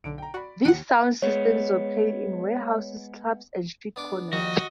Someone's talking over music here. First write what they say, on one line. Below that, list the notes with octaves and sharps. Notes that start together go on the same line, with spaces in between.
These sound systems were played in warehouses, clubs, and street corners.
B1 D3 D7
G5 A#5
F#4 D5 B5
D#2 F#5 F#6 C#7
G#3 B3 C#5
B3 D4 D6
D#2 F3 G3 F#4 D#5